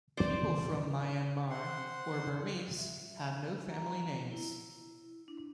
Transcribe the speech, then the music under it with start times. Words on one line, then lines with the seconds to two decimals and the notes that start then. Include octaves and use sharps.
People from Myanmar or Burmese, have no family names.
0.17 C5 D5 D6
1.50 C5 F#5 C6
2.77 E5
3.70 A#5
4.31 E4
5.28 D4